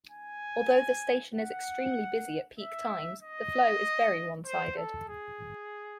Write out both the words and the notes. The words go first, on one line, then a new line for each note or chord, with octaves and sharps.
Although the station is extremely busy at peak times, the flow is very one-sided.
G#5
F#5
E5
D#5
C5
A4
G#4